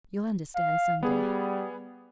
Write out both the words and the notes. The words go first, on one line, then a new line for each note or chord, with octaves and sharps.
"You'll understand some day."
F5
G3 B3 G#4